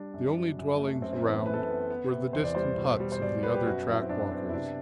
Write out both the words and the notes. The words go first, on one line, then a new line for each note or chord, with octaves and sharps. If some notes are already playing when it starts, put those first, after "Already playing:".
The only dwellings around were the distant huts of the other track-walkers.
Already playing: G3 D4
F#2
F#3
F#2
A3
F#2 C4
C4
E3 B3
F#2 B4
A4
B4
B3
B3
C3
E2 C5
D5
G3 C5
B2
G3
C5
B2 D5
B3 B4
G4
F#2 F#4
F#3 E4
C4
F#2 D4
B3 C4
E4
C3 D4